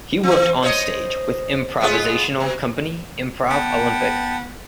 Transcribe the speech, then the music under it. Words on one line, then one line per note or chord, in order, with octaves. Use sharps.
He worked on stage with improvisational company Improv Olympic.
E3 C4
C5 C#5 D#5
G#3 B3 F4
B2
B3 G5 A5